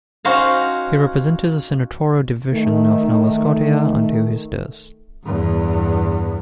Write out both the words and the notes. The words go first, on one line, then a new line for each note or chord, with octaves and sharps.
He represented the senatorial division of Nova Scotia until his death.
C#4 D#4 F#4 C5 F5 A#5
D#3 A3
E2 G2